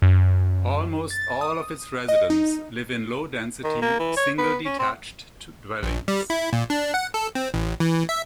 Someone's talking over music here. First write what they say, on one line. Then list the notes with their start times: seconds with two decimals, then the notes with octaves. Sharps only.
Almost all of its residents live in low-density, single detached dwellings.
0.02 F#2
1.10 A6
1.41 D#6
2.09 D#5
2.30 D#4
3.64 D#3
3.82 A#3
4.00 E3
4.17 C#5
4.38 B3
4.65 C#4
4.79 C4
5.83 A#1
6.08 G3
6.30 E4
6.53 A#2
6.70 D4
6.94 F#5
7.14 A4
7.35 C4
7.54 A1
7.80 E3
8.09 E5